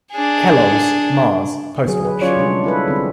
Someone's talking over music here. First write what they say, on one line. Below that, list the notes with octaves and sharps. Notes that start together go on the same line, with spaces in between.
Kelloggs, Mars, Postwatch.
D4 G#4
D3 F#3 G#4
B4
F#3 C#4 F4 C#5 D5
C3 G3 G#3 D4
E4 A4 B4
D3 C4